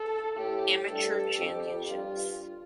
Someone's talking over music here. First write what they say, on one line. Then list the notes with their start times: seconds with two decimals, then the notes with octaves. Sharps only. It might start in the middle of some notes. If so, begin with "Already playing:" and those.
Amateur championships.
Already playing: A4
0.38 A2 G4
0.88 G2 A4
1.38 F2 G4
1.89 G2 F4